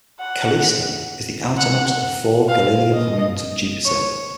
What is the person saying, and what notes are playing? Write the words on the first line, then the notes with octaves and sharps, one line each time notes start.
Callisto is the outermost of the four Galilean moons of Jupiter.
F#5
F#5
F5
D#5
C#5